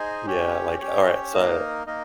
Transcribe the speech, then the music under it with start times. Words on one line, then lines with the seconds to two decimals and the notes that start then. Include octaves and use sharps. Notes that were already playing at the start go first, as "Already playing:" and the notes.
Yeah, like alright, so I
Already playing: D#4 G#4 C5 D#5 G#5
0.26 C#4 G4 C#5
0.79 C#4 G4 C#5
1.33 A#3 D#4 A#4 D#5
1.86 A#3 D#4 A#4 D#5